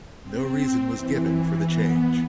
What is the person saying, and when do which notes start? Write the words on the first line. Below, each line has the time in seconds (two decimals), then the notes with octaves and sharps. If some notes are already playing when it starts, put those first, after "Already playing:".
No reason was given for the change.
0.22 C4
0.91 E3
1.65 B3